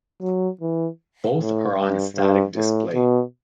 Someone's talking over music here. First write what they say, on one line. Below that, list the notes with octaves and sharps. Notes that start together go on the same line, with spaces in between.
Both are on static display.
F#3
E3
A2
G2
G2
A2
B2